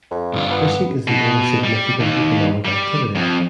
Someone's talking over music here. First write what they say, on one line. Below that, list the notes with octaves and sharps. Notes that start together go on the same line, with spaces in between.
Fishing is the only significant economic activity.
F2
G2 D3 F4
B3
B2
G3
D#2
G3
F2